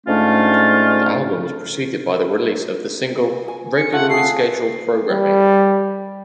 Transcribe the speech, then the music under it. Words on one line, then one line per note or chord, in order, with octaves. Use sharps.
The album was preceded by the release of the single "Regularly Scheduled Programming".
G#2 D3 A3 C#4 D4 F4
G#5
C#7
A3 F4 A4 F#5
A3 G#4 C7
G3